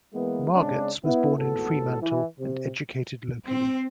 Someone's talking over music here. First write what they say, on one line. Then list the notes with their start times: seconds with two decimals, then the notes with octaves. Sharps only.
Margetts was born in Fremantle and educated locally.
0.14 E3 G#3 A#3 B3
0.54 C#3 G#3 C4 D4
1.04 B3 E4
1.37 G#1 A2 B3 F#4 A4
2.02 E3
2.38 C3
3.46 C4